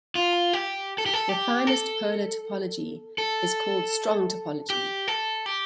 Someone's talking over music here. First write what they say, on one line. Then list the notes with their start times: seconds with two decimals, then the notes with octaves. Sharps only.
The finest polar topology is called strong topology.
0.15 F4
0.53 G4
0.98 A4
1.06 G4
1.13 A4
1.29 G4
1.67 A4
3.18 A4
4.70 G4
5.08 A4
5.46 G4